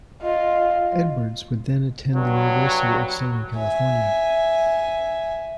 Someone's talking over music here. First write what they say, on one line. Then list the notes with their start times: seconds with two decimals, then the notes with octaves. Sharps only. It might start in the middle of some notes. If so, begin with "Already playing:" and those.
Edwards would then attend the University of Southern California.
0.22 F4 D#5
2.14 G2 F#3
3.55 E5 G#5